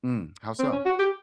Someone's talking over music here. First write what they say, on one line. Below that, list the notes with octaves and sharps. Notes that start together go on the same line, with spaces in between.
Hmm, how so?
C4
C#4
F#4
G4